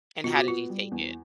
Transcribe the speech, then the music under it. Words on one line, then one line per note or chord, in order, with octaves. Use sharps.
And how did he take it?
B2 F4
F#4
B3 F4
G3
E2